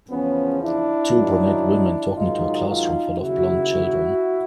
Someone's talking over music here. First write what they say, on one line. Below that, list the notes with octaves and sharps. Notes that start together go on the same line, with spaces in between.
Two brunette women talking to a classroom full of blond children.
E2 C#3 F3 B3 C#4
D4 E4
F#2 D#3 F#3
G#2 D#3 F#3 D#4 F4
D#4 F4
D#2 C#3 F#3 E4 F#4